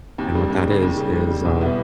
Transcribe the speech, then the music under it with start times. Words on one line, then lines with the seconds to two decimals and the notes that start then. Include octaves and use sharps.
and what that is is, uh,
0.18 D#2
0.34 C#3 G3
0.50 D#2
0.66 G3
0.71 C#3
0.82 D#2
0.97 C#3 G3
1.13 D#2
1.29 C#3 G3
1.45 B1
1.60 B2 G3 B3 E4